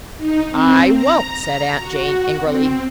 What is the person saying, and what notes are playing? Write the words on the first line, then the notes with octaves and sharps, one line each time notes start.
"I won't," said Aunt Jane, angrily.
D#4
C4
A#5
F#4
C4